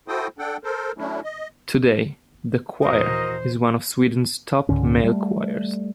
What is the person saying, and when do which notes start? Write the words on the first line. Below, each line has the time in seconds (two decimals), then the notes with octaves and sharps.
Today, the choir is one of Sweden's top male choirs.
0.08 E4 F#4 A4 C5 G5 D#6
0.39 D4 A4 F#5 G5
0.64 A4 A#4 C5
0.98 F#3 A3 C#4 D4 E4
1.24 D#5
2.82 D#2 A#2 E3 F#4 A#4 C5 D#5 A#5
4.69 C#2 G#2 D3 C#4
5.04 G3 A3